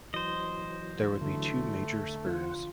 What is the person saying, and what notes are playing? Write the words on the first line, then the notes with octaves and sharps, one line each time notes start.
There would be two major spurs.
E3 F#3 C5 D#5
D3 A3
F4 C5 F#5